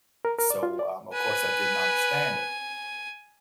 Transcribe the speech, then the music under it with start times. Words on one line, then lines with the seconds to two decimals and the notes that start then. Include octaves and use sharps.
So, um, of course I didn't understand it.
0.25 A#4
0.39 A#4
0.50 D5
0.63 F4
0.79 D5
1.14 B4 G#5